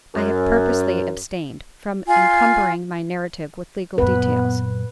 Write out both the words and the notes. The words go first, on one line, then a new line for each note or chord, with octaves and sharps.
I have purposely abstained from encumbering my narrative with legal details.
F#2
F4 G#5
F#2 A#2 B3 B4